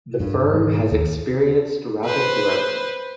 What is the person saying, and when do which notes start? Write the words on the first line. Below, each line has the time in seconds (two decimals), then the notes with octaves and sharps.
The firm has experienced rapid growth.
0.20 G2
0.53 G#2
0.91 D#2
2.05 B4 C5